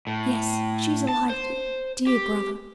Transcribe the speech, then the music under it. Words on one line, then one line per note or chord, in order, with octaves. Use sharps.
'Yes, she is alive, dear, dear brother!
A2
A5
C5
G4